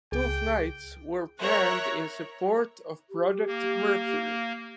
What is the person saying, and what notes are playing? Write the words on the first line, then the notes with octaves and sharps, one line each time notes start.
Two flights were planned in support of Project Mercury.
C#2 G#4 G5
A#4 C#5 E5 A#5 F#6
G4
A#3